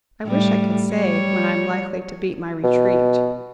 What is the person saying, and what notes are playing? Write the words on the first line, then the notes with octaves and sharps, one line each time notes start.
I wish I could say when I am likely to beat my retreat.
A2 G3
G3 C#5
B2